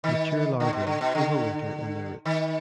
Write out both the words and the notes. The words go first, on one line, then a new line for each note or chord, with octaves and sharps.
Mature larvae overwinter in the roots.
D#3
D3
B2
D3
B2
D3
D#3